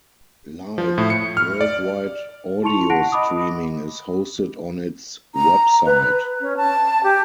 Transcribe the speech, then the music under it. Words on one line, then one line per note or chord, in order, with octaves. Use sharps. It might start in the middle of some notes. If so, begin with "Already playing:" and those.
Live worldwide audio streaming is hosted on its website.
F3
A2
C#7
F6
D5
E4 A5 C6 C#6 C#7 F7
F#5 A5 F#6 A#6 D7
D#5 B5 D6 D#6
A#5
B4
C#4
A5
G4